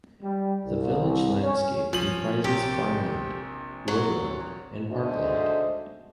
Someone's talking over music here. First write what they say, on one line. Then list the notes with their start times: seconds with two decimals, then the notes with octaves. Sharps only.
The village landscape comprises farmland, woodland and parkland.
0.22 G3
0.66 C2
1.42 C#4
1.93 F3 C#4 F#7
2.44 A#1 C3 G4
3.88 F#3
4.87 D2 G#2 A3 F#4 C5 D#5